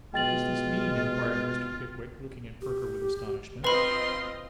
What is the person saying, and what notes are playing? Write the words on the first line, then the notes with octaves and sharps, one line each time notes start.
'What does this mean?' inquired Mr. Pickwick, looking at Perker with astonishment.
B2 G#3 F4 G5 A6 F#7
G4
C4 F4 B4 D#5 B5 C6